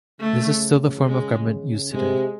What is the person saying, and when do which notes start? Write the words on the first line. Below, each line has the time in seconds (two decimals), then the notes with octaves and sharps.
This is still the form of government used today.
0.20 C#3 A3
1.07 G#3
1.92 C3 G#3